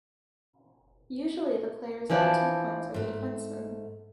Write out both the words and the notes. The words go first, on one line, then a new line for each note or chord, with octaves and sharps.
Usually the players at the two points are the defencemen.
E3 F3 D4 E4
G#2 A3